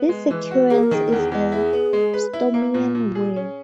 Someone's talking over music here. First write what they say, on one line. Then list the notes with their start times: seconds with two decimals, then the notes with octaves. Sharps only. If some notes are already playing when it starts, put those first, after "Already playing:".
This sequence is a Sturmian word.
Already playing: B3
0.09 G#3
0.31 E3
0.51 F#4
0.70 A#3 G#4
0.83 A#4
0.91 D#3 G#4
1.08 E2 A#4
1.19 G#4
1.32 E2
1.52 E4 G#4
1.73 B3
1.93 G#3
2.14 B4
2.33 E4
2.54 A#3
2.74 A#2
2.95 A#2
3.15 G#4
3.36 C#4